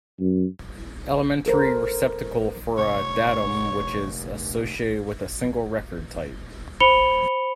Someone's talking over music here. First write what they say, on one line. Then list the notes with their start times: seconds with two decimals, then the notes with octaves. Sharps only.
Elementary receptacle for a datum which is associated with a single Record Type.
0.20 F#2
1.46 A4 A#4 C5
2.78 F1 C#5
6.80 C5 B5 C#7 F7 G7